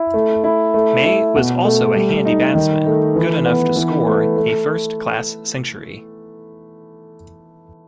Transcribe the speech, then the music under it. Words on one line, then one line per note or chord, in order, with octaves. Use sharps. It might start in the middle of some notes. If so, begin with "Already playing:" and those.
May was also a handy batsman good enough to score a first-class century.
Already playing: E4
A3
E4
A3
E4
B2
A3
G3
D#4
D#3
A3
E3
B3
E3
A3
A3